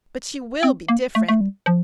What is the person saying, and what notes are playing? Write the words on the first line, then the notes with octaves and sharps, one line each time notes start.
But she will be different.
C4
A#3
A3
A3
G3
F3